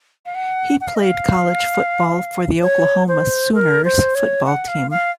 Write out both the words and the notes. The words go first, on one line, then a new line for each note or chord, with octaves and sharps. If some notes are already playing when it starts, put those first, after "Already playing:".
He played college football for the Oklahoma Sooners football team.
F5
F#5
F#5
F5
D#5
F5
C#5
C5
A#4
C5
C#5
F#5
F5
F5